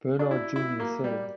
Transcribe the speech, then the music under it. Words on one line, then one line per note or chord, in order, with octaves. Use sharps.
Bernhard Junior said.
D4
E4
E4
A#3
G3